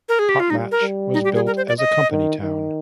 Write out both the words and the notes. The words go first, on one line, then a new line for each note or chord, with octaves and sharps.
Potlatch was built as a company town.
A#4
G#4
G4
F4
G3 D#4
A#4
G3
D#4
G4
G#4
A#4
C5
D5
D#5
D#3
D#3